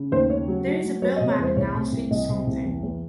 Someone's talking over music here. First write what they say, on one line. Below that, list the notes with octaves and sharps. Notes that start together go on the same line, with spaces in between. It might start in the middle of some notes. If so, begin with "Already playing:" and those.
There is a bellman announcing something.
Already playing: C#3
D#2 C5
C#3 C#5
F#3
F#3
F#3
F#3 C#5
D#5
C3
C#5
E2 C5
C2 C#5
C3
C2
C2 D#5
C3
C2
E2
E2